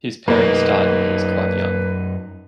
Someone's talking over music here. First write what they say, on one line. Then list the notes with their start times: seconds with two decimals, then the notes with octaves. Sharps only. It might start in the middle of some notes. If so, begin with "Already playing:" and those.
His parents died when he was quite young.
0.28 F#2 A#3 D#4 B4